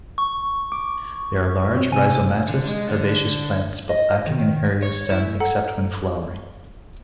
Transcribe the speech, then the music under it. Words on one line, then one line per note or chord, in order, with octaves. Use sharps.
They are large rhizomatous herbaceous plants but lacking an aerial stem, except when flowering.
C#6
D6
B2 C4 C#5
C3 G#5 E6
D3
G#3
D3
D#5
D#3
C#5
E4
A4 F#5 A#5